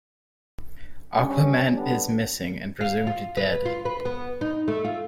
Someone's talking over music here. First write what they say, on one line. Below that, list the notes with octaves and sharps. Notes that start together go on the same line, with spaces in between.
Aquaman is missing and presumed dead.
G2 C#4
D3 G3 B3 D4
F5
F4
B4
F4
B4
B3
D#4
A3
F4